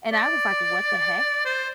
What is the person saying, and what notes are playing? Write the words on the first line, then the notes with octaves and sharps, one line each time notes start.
and I was like, "What the heck?"
D5
C5